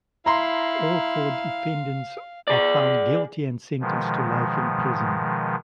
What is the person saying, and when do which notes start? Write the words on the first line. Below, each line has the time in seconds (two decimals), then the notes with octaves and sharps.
All four defendants are found guilty and sentenced to life in prison.
0.26 E4 F5 A#5 C6
2.47 G#4 D5
3.81 B2 D#3 F3 G#3